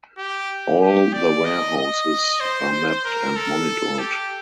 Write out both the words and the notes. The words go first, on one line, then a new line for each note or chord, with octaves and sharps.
All the warehouses were mapped and monitored.
G4
G4
D5
D#5
D#5
C5
A#4
A4
G4